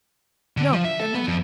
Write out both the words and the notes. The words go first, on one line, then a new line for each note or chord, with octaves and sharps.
No, they're not.
D3
F3
E5
A4
B3
F2